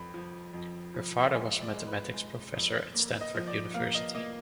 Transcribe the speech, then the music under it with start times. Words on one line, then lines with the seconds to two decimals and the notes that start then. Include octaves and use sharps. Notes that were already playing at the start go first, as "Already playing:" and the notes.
Her father was mathematics professor at Stanford University.
Already playing: F2 B5
0.14 F3
0.54 F2
0.94 F3
1.34 G#3 G#5
1.61 D5
1.74 G#3
1.87 B4
2.14 G#3
2.54 F2
2.94 A#3
3.21 D#5
3.35 F3
3.47 D5
3.74 A#3 F5
3.95 D#5
4.15 A#3 D#5